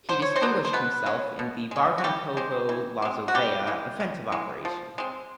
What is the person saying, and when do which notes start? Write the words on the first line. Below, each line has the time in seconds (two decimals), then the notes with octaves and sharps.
He distinguished himself in the Barvenkovo–Lozovaya Offensive Operation.
0.09 D3 C5
0.22 C#5
0.36 C4 C5
0.42 F#3 B3 D4
0.65 C5
0.73 B2 B3 B4
1.06 G#3 C#4
1.39 B2
1.71 G#3 C#4
1.98 F#4
2.04 E3 G3 G4
2.37 G#3 C4
2.69 E3
3.02 G#3 C4
3.28 F#4
3.34 C#3 G3 G4
3.67 E3 G#3
4.00 C#3
4.32 E3 G#3
4.65 F3
4.98 G#3 C4